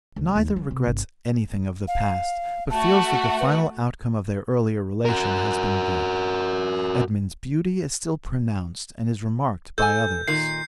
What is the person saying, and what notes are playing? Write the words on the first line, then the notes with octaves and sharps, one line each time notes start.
Neither regrets anything of the past, but feels that the final outcome of their earlier relation has been good. Edmund's beauty is still pronounced, and is remarked by others.
C#2
D#2
F#3
C3
G1
F5
A3 F#4 A5
B4
F#4 A#4
A4 G#5 G6
A#2 D#3 C7